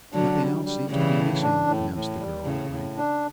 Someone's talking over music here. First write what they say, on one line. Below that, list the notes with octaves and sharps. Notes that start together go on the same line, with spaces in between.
"Nothing else seems to be missing," announced the girl, at length.
D3 F#3 D4
G3
G3
C#3 E3 G3
A2
D4
A2
A2
G3
A2 C#3
A2
D4